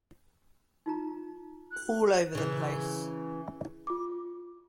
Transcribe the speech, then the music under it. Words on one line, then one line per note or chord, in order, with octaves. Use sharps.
All over the place.
D#4 F4 A#5
F#6
C#3 E3
F4 D6